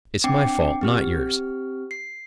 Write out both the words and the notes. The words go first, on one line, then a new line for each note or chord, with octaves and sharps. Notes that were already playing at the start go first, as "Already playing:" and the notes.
It's my fault, not yours.
C4 D4 G5 D6 C7
C4 G4 F6
C7